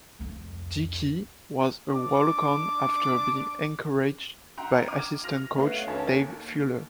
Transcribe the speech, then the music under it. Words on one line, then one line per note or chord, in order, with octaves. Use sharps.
Dickey was a walk-on after being encouraged by assistant coach Dave Fuller.
C2 F2
D4 D6
E5 F#5 G5 A#5 C6
D6 F6 G#6 D#7
F6 A#6 F7
A3 B3 C#5 F5 F#5
E2 D#3 B3 C#4 A4 C#5
D#2